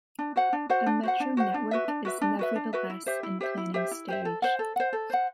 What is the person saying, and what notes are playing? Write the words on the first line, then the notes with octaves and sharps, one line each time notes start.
A metro network is nevertheless in planning stage.
D4
F#4 C5 F#5
D4
F#4 C5 F#5
D4
F#4 C5 F#5
D4
F#4 C5 F#5
D4
F#4 B4 E5
D4
F#4 B4 E5
D4
F#4 B4 E5
D4
F#4 B4 E5
E4
G4 C5 E5
E4
G4 C5 E5
E4
G4 C5 E5
E4
G4 C5 E5
A4
C5 F#5
A4
C5 F#5
A4
C5 F#5